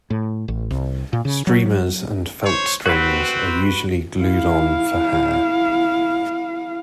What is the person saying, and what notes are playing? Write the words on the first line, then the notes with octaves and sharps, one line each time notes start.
Streamers and felt strings are usually glued on for hair.
A2
A1
C2
A#2
C#3
F#3
C5 C#5
C4 F#4 B4
E4 F5